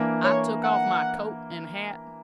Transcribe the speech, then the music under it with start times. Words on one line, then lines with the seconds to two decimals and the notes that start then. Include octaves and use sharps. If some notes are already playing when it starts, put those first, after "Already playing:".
I took off my coat and hat.
Already playing: E3 A#3 D4 A#4
0.24 C#5
0.63 F#5